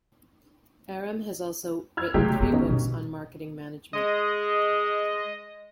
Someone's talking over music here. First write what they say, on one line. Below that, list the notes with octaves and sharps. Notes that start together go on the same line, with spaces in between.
Erem has also written three books on marketing management.
E6 F6 G#6
C#3 F#3 G#3 A3 G4
D#3 B3
G1 C#4 D#4
B2 D3
G#3 D#5